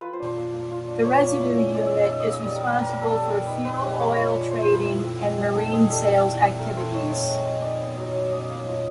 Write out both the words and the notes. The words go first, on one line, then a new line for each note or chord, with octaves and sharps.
The Residue unit is responsible for fuel oil trading and marine sales activities.
F4 B4
C5
D4
C5
A#3
A#3
F4
D4
A#3 C#5
A#3
E4
C#4
G#3 D5
E5
G#3
F5
D#4 E5
D#5
A#3
D#5
G3 D5
A#4
G3
B4
D4 A#4
A#4
B3
A4
G3 A4
G3 A#4
D#4 B4
C4 B4
G#3 G4
G#3 C#5
F4 C#5
D4
A3 C5
C5
A3
B4
E4
C4
G#3
G#3
D#4 A4
C4 G#4
G3 A4
G3
E4
C4
A3 A#4
A3 C5
D#4 C#5
C4
G#3
G#3
D#4 D5
B3
F#3
F#3
C#4 D#5
A#3
F3